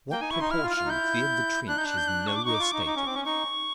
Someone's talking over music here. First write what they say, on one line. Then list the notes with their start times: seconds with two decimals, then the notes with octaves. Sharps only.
What proportion cleared the trench is nowhere stated.
0.11 A#3 G5
0.21 D#4 G#5
0.31 E4 C#6
0.40 D#4 C6
0.50 E4 F6
0.63 F4
0.70 F6
0.77 F4
0.85 D#4
0.89 E4 G6
1.68 D4 F#6
1.76 D#4 G6
1.84 D4 F#6
1.98 G6
2.08 F#6
2.27 C#6
2.36 D6
2.45 D#4 C#6
2.54 D6
2.59 F4 C#6
2.72 D#4 D6
2.80 C#6
2.86 D#4 D6
2.96 C#4 C#6
3.06 C4 D6
3.15 C#4 C#6
3.25 D#4 C#6